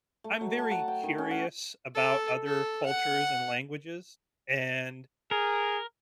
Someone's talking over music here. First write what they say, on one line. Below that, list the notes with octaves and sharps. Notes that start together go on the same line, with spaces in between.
I'm very curious about other cultures and languages, and
A3
F#3
A5
F#5
G5
D#3
C#4
F#5
A4
A4
F#5
G#4 A#4